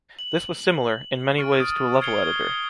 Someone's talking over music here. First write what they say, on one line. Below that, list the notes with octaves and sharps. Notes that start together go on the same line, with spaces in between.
This was similar, in many ways to a level editor.
F#7
C#6 F6 A6 D7
D#6
F6 G#6 C7 C#7 F7 G7